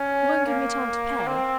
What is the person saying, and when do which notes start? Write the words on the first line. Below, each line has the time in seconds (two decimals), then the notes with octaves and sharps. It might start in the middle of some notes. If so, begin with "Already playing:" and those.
He won't give me time to pay.
Already playing: C#4
0.46 A#3
1.27 C4